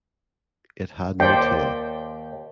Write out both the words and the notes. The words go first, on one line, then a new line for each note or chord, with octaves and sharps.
It had no tail.
D#2 C5 D5 G5